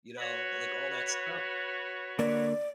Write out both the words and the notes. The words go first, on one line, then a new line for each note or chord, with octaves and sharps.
you know, like, all that stuff?
F#4 B4 C#5
D3 A#3 A#4 D5